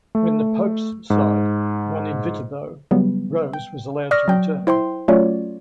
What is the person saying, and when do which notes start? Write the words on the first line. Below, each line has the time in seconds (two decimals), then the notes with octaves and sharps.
When the pope's side won in Viterbo, Rose was allowed to return.
0.15 A3
1.10 G#2
2.91 C#3 F#3 G3 B3
3.53 G5
4.11 D5 C#6 D#6 F6 A#6
4.28 F#3 G5
4.67 E4 C5 G5 C6
5.08 F#3 A3 C#4 F4 C#5 D5